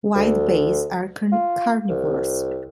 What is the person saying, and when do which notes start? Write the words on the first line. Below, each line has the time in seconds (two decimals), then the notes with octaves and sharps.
White bass are carnivores.
0.15 D2
1.32 F4
1.89 C2